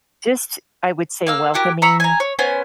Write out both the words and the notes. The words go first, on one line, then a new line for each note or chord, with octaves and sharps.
just, I would say, welcoming,
A#3 F5 E6
E4 F#4 G4 A#4
A#5 B5 C#6 E6
G#5 A#5
C#5
B3 C#4 C5 G#5